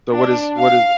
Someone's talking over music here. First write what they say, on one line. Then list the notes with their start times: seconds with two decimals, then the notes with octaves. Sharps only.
So, what is what is
0.12 D4
0.57 F5